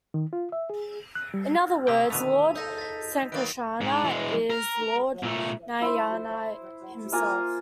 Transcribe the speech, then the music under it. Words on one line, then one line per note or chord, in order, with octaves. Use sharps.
In other words, Lord Sankarshana is Lord Narayana himself.
D#3
F4
E5
G#4
F#6
G3
C3 A#3 G5 D#6 E6 B6
B2 D3 D#3 A3 D#7 F7
D#4 A4 G6 A#6
A6 B6
D#3 F#3 A#3 B4 A6 D7
G#2
E3 G#3
A#4
A#2 A3
E4 C5
A#3 F4 G#5 A#5